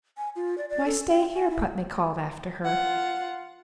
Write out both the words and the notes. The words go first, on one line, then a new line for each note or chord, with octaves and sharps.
"Why, stay here!" Putney called after her.
G#5
F4
D5
D5
A4
G5
G#5
E4
F4 F#5